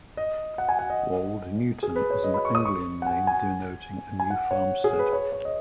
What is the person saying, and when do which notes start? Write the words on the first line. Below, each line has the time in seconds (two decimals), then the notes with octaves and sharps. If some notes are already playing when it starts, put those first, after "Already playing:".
Wold Newton is an Anglian name denoting a new farmstead.
0.17 D#5
0.58 F#5
0.69 G#5
0.79 F#5
0.90 D#5
1.83 G#4
1.96 B4
2.10 C#5
2.24 D#5
2.34 B5
2.45 C#6
2.55 D#6
2.65 C#6
3.02 F#5
3.06 G#5
3.27 G#5
4.20 G#5
4.30 F#5
4.51 C#5
4.84 G#4
4.99 B4
5.13 C#5
5.32 C#5
5.45 D#5